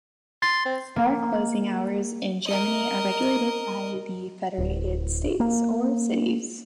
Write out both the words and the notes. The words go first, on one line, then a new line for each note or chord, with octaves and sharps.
Bar closing hours in Germany are regulated by the federated states or cities.
C6 A6
C4
A#3
A#4 D#5
D1
A#3